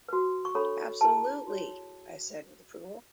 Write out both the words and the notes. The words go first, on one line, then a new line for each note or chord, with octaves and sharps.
"Absolutely," I said with approval.
F#4 B4
C#6
D4 A4 C#5 B5
E4 G#4 B4 A5
F#4 C#5